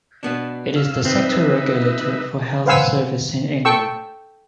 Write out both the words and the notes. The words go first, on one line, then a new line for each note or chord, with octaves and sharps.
It is the sector regulator for health services in England.
B2 B3 D4
C#3 F5 E6
C4 D#4 B4 E5
B4 C5 F5 F#5 G#5 E6
A4 G5 C#6 E6